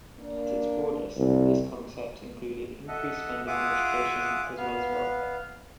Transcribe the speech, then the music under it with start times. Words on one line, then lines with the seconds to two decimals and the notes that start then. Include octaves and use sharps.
At its broadest this concept included increased spending on education as well as welfare.
0.19 A#3 D4
1.17 C2
2.88 A4 D#5 E5 F#5
3.47 F4 G#4 E5 F#5 D6 D#6
4.57 B3 F5